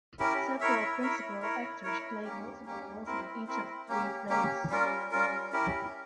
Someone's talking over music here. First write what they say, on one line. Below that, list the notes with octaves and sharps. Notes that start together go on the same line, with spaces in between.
Several principal actors played multiple roles in each of the three plays.
C#4 E4 G4 A#4
E4 A#4 C#5 E5
E4 A#4 C#5 E5
E4 A#4 C#5
E4 A#4 C#5
A#3 C#4 G4
A#3 C#4 G4
C4 E4 A#4
C4 E4 A#4
A#3 C#4 G4
A#3 C#4 G4
G3 C#4 F4 A#4
G3 C#4 F4 A#4
C#4 E4 G4 A#4